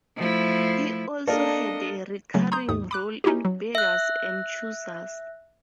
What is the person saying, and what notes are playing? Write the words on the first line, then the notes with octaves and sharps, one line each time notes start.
He also had a recurring role in "Beggars and Choosers".
F3 A3 E4
A#3 D4 A4 A#4 D5 D#5
C#3 F#3 A3 A#3 C#4
A#5 C6 D#6 G6
D#2 G#2 D#6
B5 D6 F#6
C#4 D#4 E4 F#4 G4
F#3
E5 F#6